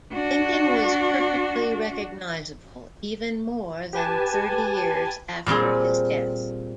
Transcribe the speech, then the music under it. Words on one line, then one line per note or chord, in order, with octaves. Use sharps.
Lincoln was perfectly recognizable, even more than thirty years after his death.
D4 F#4
G4 B4 G#5 A5
A#2 G3 C4 G#4